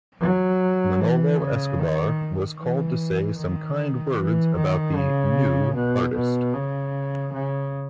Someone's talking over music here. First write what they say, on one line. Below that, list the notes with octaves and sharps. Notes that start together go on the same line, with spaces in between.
Manolo Escobar was called to say some kind words about the "new" artist.
F#3
E3
C#3
D#3
E3
D#3
E3
D#3
C#3
B2
B2
C#3
C#3